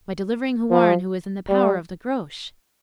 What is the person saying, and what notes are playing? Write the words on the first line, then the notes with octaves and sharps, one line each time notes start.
'By delivering Houarn, who is in the power of the Groac'h.'
F3
G3